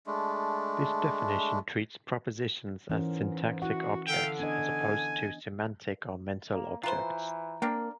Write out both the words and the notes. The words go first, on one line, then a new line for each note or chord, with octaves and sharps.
This definition treats propositions as syntactic objects, as opposed to semantic or mental objects.
G#3 A3 D4
G#2 E3 C#4 A#4
E4 F#4 F#5
D3 E5 F5 G5
B3 D4 D#5 G#5
A#3
E3 F4 B4 C5 A#5
A#3 C4 D4 A#4